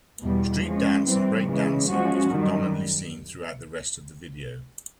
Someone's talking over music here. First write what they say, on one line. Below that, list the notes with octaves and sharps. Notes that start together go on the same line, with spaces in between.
Street dance and breakdancing is predominately seen throughout the rest of the video.
E2 B2 G3
F3 G#3 C#4
E3 G3 C4
C#3 E3 G#3
F3 G#3 C#4 F#4
F#2 D#3 G3